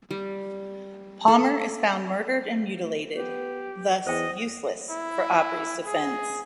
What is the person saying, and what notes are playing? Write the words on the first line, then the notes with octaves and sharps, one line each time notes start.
Palmer is found murdered and mutilated, thus useless for Aubrey's defense.
G3
A4
B3 G4
E2 C5 D#5 G5
E4
G#4